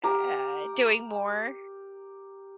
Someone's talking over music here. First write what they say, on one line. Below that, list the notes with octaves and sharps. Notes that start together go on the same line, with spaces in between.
uh, doing more.
G4 A#4 A#5